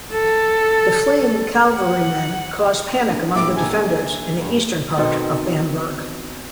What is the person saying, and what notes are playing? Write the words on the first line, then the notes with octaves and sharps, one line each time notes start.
The fleeing cavalrymen caused panic among the defenders in the eastern part of Bamberg.
A4
F#5
D4 A#4
A#2 G3 G#3 A#3 E5 D6
D#4 A4 C#5 G#5
G#3 G#5
G2 A#3
B2 D#3 C4 A4